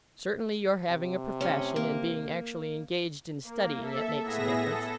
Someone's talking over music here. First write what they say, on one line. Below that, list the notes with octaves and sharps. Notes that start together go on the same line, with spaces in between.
Certainly, your having a profession, and being actually engaged in studying it, makes a difference.
C3
A2 C#4
A#3
A#3
A4 E5
A2 B3 G#4 E5 A#6
A4